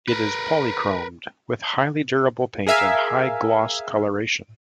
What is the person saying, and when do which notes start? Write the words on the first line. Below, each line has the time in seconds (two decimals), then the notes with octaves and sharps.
It is polychromed with highly durable paint and high gloss coloration.
0.08 A#4 B4
2.67 G#4 A#4 E5 F5 G#5